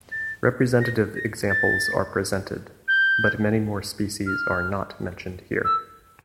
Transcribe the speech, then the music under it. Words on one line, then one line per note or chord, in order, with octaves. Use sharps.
Representative examples are presented, but many more species are not mentioned here.
A6
A#6
A#6
A6
G6
F6
E6